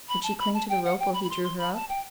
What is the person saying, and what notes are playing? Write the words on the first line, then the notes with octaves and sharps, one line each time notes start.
Could she cling to the rope while he drew her up?
B5
A5
B5
A5
G5
F#5
G5
B5
B5
C6
C6
B5
A5
G5